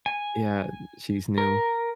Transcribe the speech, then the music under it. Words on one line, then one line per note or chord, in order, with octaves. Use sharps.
Yeah, she's new.
G#5
A#4